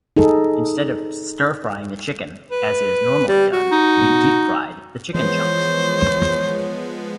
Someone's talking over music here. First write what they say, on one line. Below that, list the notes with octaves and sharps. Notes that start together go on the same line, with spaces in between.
Instead of stir-frying the chicken, as is normally done, he deep-fried the chicken chunks.
D#4 G#4 A4
B4
G3
F#4
D#4
E3 F3 G#3 B3 C5 C#5